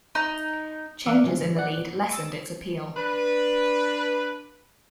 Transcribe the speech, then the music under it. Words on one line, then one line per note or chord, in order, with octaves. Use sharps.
Changes in the lead lessened its appeal.
D#4
E3 D5 E5 F#5 F6 D#7
A2 D3 F#3 G#3
D5 F#5
A2
D#6 E6 A6 D7
D4 B4